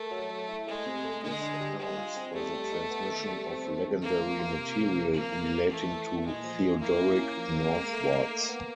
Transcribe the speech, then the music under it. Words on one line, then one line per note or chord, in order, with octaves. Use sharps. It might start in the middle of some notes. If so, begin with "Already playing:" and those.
This accounts for the transmission of legendary material relating to Theodoric northwards.
Already playing: A3 A#4
F#3
F#3
E4
G#3 A3
C3
A3
D3 G#3
D4
G3
G3 G#3
F4
C4
G3 A3
G3
D#4
B3
D#3
G3
C4
C4
D#3
A3 A#3
F4
F4
C3
F3
C3
F3 A#3
A3
F3
E3 A3
E3
E3
A#2 G#3
F3
F3
A#3 E4
E4
C#4
F3
C4
G#3
A3
D#4
A3
B3